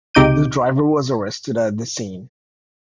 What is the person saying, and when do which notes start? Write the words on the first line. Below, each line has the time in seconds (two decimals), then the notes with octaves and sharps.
The driver was arrested at the scene.
0.15 C#2 C3 D#4 D6 G6 D#7